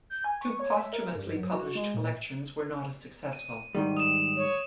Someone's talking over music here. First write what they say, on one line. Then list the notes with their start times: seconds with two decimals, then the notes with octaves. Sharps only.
Two posthumously published collections were not as successful.
0.10 G6
0.24 G#5
0.41 C#6
0.59 C#5
0.78 E5
0.93 A#4
1.15 G2
1.37 F#3
1.53 F#4
1.75 G#3
1.94 A#2
3.33 D#7
3.75 G#2 D#3 G3
3.97 D#6 E7
4.36 C#5